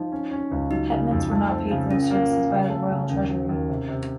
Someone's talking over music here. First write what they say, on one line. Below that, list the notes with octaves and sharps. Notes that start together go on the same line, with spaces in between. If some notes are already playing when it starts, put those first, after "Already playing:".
Hetmans were not paid for their services by the Royal Treasury.
Already playing: F3 D#4
C#4
C#4
C#2
F#3 D#4
C#3
F2
A3
C4
C#3
A#2 C#4
A#3
A#2
C#3
A3
C#3
D#2 C#4
F#3
D#2
C3
C3